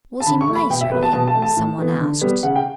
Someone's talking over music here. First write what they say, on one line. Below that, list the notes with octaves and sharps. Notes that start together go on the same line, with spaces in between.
"Was he miserly?" some one asked.
A5
D3 B5
C#6
A3
B5
B2 G5
E5
F#3 B3 B4
A5
B2 A5
A5
A3
A5
A2
E3 B3
D3
G3 B3
C#3 F#5
G5